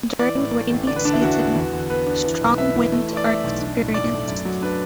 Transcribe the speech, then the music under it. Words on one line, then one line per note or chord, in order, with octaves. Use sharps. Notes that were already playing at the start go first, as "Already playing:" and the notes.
During rainy season strong winds are experienced.
E3 D5
A2
A3
A1
D3 D5
B4
D3 D4
E4
E2 F#4
B3
E2
D3
B3 B4
D4
E3
B1
B3 E5
E3
A3
E3
D5
A3 E5
B1
D4
A2
B1 D5
A3
F#2
F#3
D4 B4